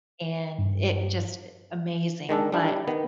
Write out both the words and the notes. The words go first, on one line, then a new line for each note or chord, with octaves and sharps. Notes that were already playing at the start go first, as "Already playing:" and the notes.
and it just i amazing, but
G2
D#3 G#3 D4 A4
G3 D4 E4
D#3 B3